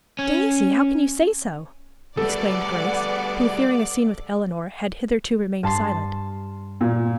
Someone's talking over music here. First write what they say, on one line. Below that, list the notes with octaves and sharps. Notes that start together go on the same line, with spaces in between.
"Daisy, how can you say so?" exclaimed Grace, who, fearing a scene with Eleanor, had hitherto remained silent.
C#4
G3 A3 G#4 A4 B4 D5 F#5
G2 A5 C6
A#2